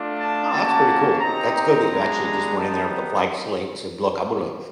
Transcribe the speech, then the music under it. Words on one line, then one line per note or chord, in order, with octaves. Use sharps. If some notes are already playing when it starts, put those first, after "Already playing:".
Oh, that's pretty cool. That's good that you actually just went in there with the flag slate and said, "Look, I'm gonna
Already playing: A3 D4 F4
A5
A#3 C#4 F#4 A5
A5
C4 D#4 G4 A#5
A#5
G#3 B3 D4
B3 D#4 G4 A5